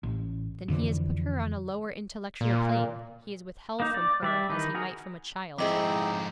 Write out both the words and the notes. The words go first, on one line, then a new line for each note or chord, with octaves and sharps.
'Then he has put her on a lower intellectual plane; he has withheld from her, as he might from a child.'
A1
F2 D3 E3
A#2
A#3 D#4
D5
G3 D5 E5
D#3 E3 D#4 B4
F#4 G#4 A#4
F2 G#2 C4 D#4 E4 G#4 D#5 D6